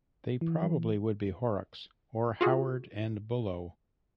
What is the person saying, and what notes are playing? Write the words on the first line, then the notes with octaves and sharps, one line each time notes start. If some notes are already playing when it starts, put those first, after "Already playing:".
They probably would be Horrocks, or Howard and Bullough.
E3
F4 F#4 G#4